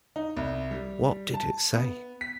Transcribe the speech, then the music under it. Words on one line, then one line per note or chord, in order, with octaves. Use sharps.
What did it say?
D#4
C2
G3
A5
B3
B6